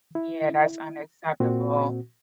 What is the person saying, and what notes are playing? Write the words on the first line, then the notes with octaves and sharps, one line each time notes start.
Yeah, that's unacceptable.
E4
A#2 C4 F#4